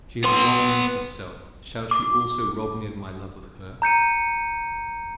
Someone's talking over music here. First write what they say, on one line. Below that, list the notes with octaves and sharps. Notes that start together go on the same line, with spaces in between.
She has robbed me of herself: shall she also rob me of my love of her?
B3 C6
D6
A#5 G6 C#7 D#7